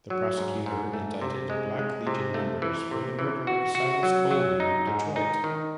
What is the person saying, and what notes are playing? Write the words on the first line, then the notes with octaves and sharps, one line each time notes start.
The Prosecutor indicted Black Legion members for the murder of Silas Coleman of Detroit.
F#3
G#2
G#2
A3
C3
G#3
G#3
C3
A3
E3
C3
E3
F#4
F#4
F#3
F#3
D#4
G#2
D#4
D#3